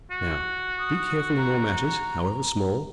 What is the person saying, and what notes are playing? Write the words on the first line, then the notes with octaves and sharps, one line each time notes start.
Now, be careful in all matters, however small.
F#4
D#6
A#5